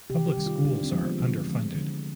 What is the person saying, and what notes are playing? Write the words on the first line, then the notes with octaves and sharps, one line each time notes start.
Public schools are underfunded.
C3 G4
G4
D#3 G3
F4
D3 D4
C4
F3 G#3
B3
D3
F3 G#3
D3